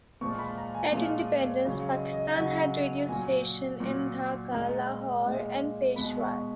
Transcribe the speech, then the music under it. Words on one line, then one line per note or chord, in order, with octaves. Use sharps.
At independence, Pakistan had radio stations in Dhaka, Lahore, and Peshawar.
A#2 F3 G#3 C#6
B5
A#5
G#5
A#2 F3 G#3 F5
D#5
C#5
C#3 F#3 C#5
D#5
D#5
C#3 F#3 F#5
A#2 F#3 G#5
A#2 F#3
A#2 G#3 A#5
A#2 G#3
B2 G#3 B5
C#6